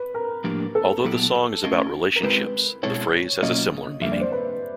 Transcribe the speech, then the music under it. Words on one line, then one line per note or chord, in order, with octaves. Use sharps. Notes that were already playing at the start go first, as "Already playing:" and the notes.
Although the song is about relationships, the phrase has a similar meaning.
Already playing: B4
A#4
A2 F3 A#3 D4 G4
A4
A#2 F#3 B3 E4 G4
A3 C#4 F4 A#4 D#5
A#4
G#3 C4 E4 G4 B4
B2 G#3 C4 E4 A4 C#5
B2 F#3 A#3 C#4 F4 D#5
F2 D3 G3 A#3 E5
D5
C5
B4